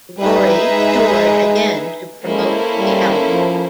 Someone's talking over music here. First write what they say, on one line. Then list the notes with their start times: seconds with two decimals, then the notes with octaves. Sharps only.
Lorie toured again to promote the album.
0.19 G3 D#4 G#4 B4 E5
0.71 G#3
2.26 G#3 A#3 C#4 E4 A4 C5
2.78 G3
3.29 F3